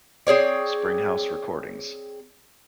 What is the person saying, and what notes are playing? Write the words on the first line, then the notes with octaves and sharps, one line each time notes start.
Spring House Recordings.
C4 G#4 C#5 D5